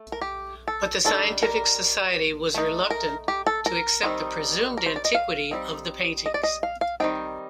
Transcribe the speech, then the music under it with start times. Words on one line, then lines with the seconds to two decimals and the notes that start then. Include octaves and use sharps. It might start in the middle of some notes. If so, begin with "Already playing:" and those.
But the scientific society was reluctant to accept the presumed antiquity of the paintings.
Already playing: A3
0.12 A#4
0.21 G4
0.68 A4
1.05 D#3 G3 D4 A4
1.43 A#4
2.54 A3 D#4
2.90 A#4
3.28 G4
3.46 A4
3.66 A#4
4.03 D#3 G3 C4 D#4
4.77 A#4
4.86 C5
4.96 D5
5.05 D#5
5.15 F5
5.51 G3 C4 D#4
6.26 D#5
6.34 D5
6.43 D#5
6.63 F5
6.81 F5
7.00 D#3 G3 C4 D#4 G5